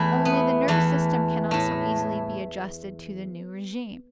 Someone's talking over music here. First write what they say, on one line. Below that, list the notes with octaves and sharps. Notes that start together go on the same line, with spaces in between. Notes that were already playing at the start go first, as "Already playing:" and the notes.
Only the nervous system cannot so easily be adjusted to the new regime.
Already playing: E2 E3 A3 E4
B3
E2 E3 A3
A2 A3